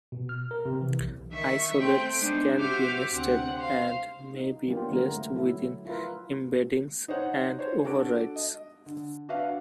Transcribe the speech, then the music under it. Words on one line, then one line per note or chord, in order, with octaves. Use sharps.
Isolates can be nested, and may be placed within embeddings and overrides.
B2
F6
A#4
C3
E3
B1
D#3 E5 C#6
A3 C4 G5
G#3 B3 D4 D#4 C5
F#4 G4 C5 E5 D6 F6
D2 C3 C4 F#5
C5 F5
D#4
F#3 A#3 B3 D4 F4 G4
D3 G#3 B3 A#4
A3
F#3 A3 E4
E4 F4 A#4 B4
D#4 C5 C#5 F#5
C5 C#5
D4 F#4 A4 D7
D#5
D3
D4 F#4 B4 E5 F5